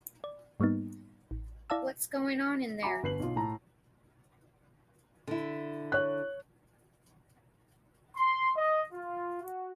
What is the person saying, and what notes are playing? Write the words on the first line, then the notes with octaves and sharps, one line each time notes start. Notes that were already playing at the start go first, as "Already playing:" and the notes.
What's going on in there?
D5
G#2 G3 A#3 B3 D#4
A1
E4 D5 F5 A5 E6
F#4 E5 G#5 A#5 B5 D6
G1 B4 C7 F#7
B1 F4
A2 A5 A#5
D3 E4
C#5 F#6
C6
D#5
F4
F#4